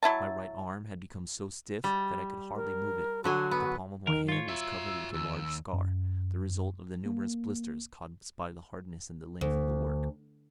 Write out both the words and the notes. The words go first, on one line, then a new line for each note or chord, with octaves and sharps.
My right arm had become so stiff that I could hardly move it; the palm of my hand was covered with a large scar, the result of the numerous blisters caused by the hardness and the length of the work.
F#3 E4 E5 A5
G3
A#4
D3 F#3 F#4 G#5
B3
D#3 A#4
F4 C#5
F#4 E5 E6
D#2
F#2
A#3
D2